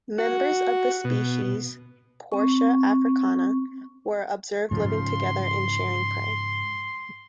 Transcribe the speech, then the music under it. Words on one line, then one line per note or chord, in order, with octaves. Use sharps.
Members of the species "Portia africana" were observed living together and sharing prey.
F#4
B2
C4 C#6
G#2 C#3 F3 C6